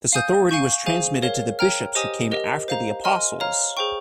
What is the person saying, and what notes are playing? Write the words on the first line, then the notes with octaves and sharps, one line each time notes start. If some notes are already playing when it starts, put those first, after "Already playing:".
This authority was transmitted to the bishops who came after the apostles.
F5 G#5 D#6 G6
F5 G#5 C#6 G6
G#4 C5 F5 G#5
A#4 C#5 F5
C#5 G5 A#5 F6
G4 C5 D#5 G#5 D#6
G4 A#4 D#5
C5 F5 A#5
D#5 G#5 C6 F6
C#5 F5 A#5 F6
G#4 C5 G5 C#6